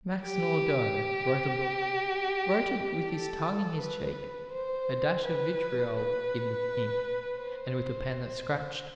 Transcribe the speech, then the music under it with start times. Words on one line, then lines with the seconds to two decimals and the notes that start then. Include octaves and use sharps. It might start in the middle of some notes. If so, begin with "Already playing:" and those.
Max Nordau wrote a book--wrote it with his tongue in his cheek, a dash of vitriol in the ink, and with a pen that scratched.
0.24 G4
3.10 A4
3.81 B4
4.53 C5
5.25 B4
5.96 B4
7.39 C5